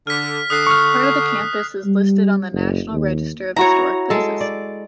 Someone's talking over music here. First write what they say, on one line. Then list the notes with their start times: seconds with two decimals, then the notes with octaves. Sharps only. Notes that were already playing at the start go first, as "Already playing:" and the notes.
Part of the campus is listed on the National Register of Historic Places.
0.07 D3 F6 B6
0.50 D3 D#6 F#6 C7
0.67 C#6 F6
1.85 G3
2.52 F#1
2.92 D#2
3.56 E4 F#4 C#5 A#5
4.10 G#3 A4
4.41 D5